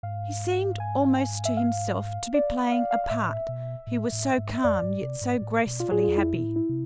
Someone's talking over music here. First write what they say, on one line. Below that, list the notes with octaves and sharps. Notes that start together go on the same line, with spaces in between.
He seemed, almost to himself, to be playing a part, he was so calm yet so gracefully happy.
G#2 F5
G#5
E5
F5
D5
F5
F5
F5
A2 E5
B2
A2
A2
G#2
E5
F2 D5
G#2
C3
G#2
A2
B2
F4
A2 G#4
E2 F4
F2 E4
B2
A2
E4
C3